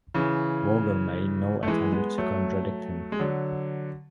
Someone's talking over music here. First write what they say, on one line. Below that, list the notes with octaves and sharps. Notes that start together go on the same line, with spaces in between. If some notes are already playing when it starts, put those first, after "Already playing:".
Vogel made no attempt to contradict him.
C#3 E3
A3
E3 G#3
G#3 B3
F#3 A3
G#3
D3 F#3